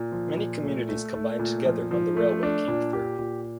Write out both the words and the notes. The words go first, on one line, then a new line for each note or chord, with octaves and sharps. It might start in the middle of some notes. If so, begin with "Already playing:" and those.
Many communities combined together when the railway came through.
Already playing: A#2
F3
A#2
A3
A3
A3
A#2
F3
F3
A3
D4
A#2
G4
A#2